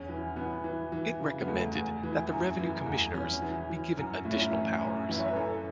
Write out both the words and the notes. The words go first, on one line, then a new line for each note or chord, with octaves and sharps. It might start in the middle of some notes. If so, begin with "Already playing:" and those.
It recommended that the Revenue Commissioners be given additional powers.
Already playing: E2 C#4
E3
E3 B3
E3
E3
C#3
B3
E2 A3
E2
E3
F#2
E3
E2
E3 C#4
E3
E3
F#2
A2 E4
C#4
E4
E3
F#2
E3 E5
C#5
B4
F#2 A4